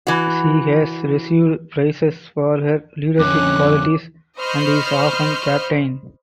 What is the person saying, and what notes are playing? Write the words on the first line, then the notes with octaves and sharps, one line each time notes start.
She has received praise for her leadership qualities and is often captain.
E3 F#4
F2 D3 C#4 D6 F#6
C5 D#5 B5 C#6 F6 G6